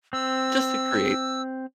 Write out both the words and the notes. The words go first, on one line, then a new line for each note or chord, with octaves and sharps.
Just to create.
C4 E6